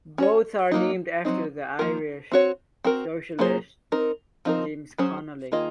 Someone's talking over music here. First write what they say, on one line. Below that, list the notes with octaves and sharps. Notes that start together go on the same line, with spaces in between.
Both are named after the Irish socialist James Connolly.
C#4 F#4 C#5
F#3 A#3 D#4
F#3 C4 D#4
F3 A#3 F4 A#4
C4 F#4 C#5
C4 F#4 A#4
F#3 A#3 F4 G#4 C5
C4 D#4 A#4
F3 C4 D#4 A#4
F#3 C#4 G#4 C5
D#3 A#3 F4 G#4 D#5